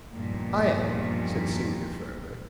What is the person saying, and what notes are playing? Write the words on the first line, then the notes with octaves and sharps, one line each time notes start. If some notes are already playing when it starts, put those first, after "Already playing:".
"I am," said Celia firmly.
E2 G2 A#2 D#3 F3